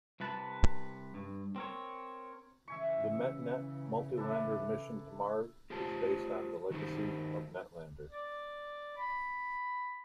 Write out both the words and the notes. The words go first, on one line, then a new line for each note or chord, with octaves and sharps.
The MetNet multi-lander mission to Mars is based on the legacy of NetLander.
C2 C3 B4 A5
G2
C4 A#4 C#5
C#3 E3 E5 G#5 C#6
D4 E4 A4
F4 G4 G#4 C5 A5
D#3 D#4 F#4 G4 C5
D5
B5